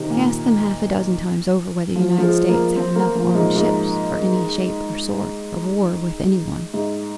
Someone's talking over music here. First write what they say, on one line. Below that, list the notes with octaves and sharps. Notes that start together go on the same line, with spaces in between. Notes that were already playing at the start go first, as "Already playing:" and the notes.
He asked them half-a-dozen times over whether the United States had enough armed ships for any shape or sort of war with any one.
Already playing: C3 D#3
A#2
F3
F3
G#3
A#3
C4
A#3
F3
A#2
G#2
G#2
G#2